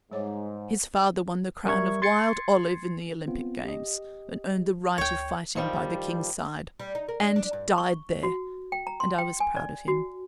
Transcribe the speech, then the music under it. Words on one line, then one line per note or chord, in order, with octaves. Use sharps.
His father won the crown of wild olive in the Olympic games, and earned the right of fighting by the king's side, and died there; and I was proud of him.
G#2 G3 C#5 D6
G3 A#4 E5 C#6 G#6
C6 G#6 A6 C7 C#7
B3 C4 F4
G4 D#5
D2 C#5 G5
G2 D#3 F3 G3
G3
D#4
A#4
D4
D4
G2
C#6
F#4
G5
A#5
C6
G5
G#5
D5
F#4